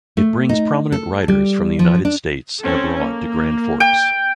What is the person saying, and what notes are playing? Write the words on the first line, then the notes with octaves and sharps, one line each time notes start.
It brings prominent writers from the United States and abroad to Grand Forks.
A3
D#4
A4
G3
F3
D4
C4 C#4 A4
A#3
G5